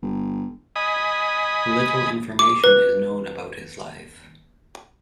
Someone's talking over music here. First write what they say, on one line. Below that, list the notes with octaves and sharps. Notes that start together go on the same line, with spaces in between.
Little information is known about his life.
G1
D#5 G#5 B5 D#6
D6
B4